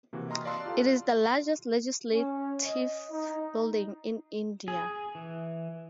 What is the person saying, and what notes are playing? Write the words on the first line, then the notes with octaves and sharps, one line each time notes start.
It is the largest Legislative building in India.
C3 E3 A#3 F#4
D#5 A#5 C6 D#6 F6
D5 F5 A5 C6 E6 F#6
F4 G4 A4 F5
C#4
D#5
D#4
G#4
E3